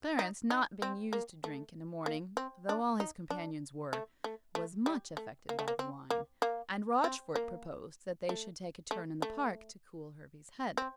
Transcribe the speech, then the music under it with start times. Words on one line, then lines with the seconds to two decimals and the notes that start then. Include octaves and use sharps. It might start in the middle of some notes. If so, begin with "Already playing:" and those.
Clarence not being used to drink in a morning, though all his companions were, was much affected by the wine, and Rochfort proposed that they should take a turn in the park to cool Hervey's head.
0.19 D#4
0.50 D#4
0.82 C4
1.13 A#3
1.44 A3
2.06 A#3
2.37 C4
2.69 D4
3.00 D#4
3.30 D4
3.93 A3
4.24 A3
4.55 A3
4.86 G3
5.17 A3
5.49 A#3
5.59 A3
5.68 A#3
5.79 C4
6.10 A#3
6.42 A#3
7.04 C4
7.36 A#3
8.29 A3
8.91 A3
9.22 A3
10.77 C4